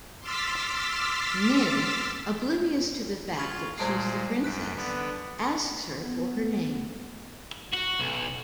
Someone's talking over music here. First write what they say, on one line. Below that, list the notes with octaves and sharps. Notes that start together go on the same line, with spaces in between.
Nin, oblivious to the fact that she's the princess, asks her for her name.
C6 D6 E6 F6 A6 B6
F4 C#6 G#6
A#2 G3 G#3 A5 C7
F#2 F#6 B6 D7
D3 B3
B3
F#4
B1